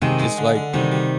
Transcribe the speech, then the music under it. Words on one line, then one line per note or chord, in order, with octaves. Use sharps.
just, like,
C3 D#3 G#3
G#3
D3
D3
C3 D#3 G3
G3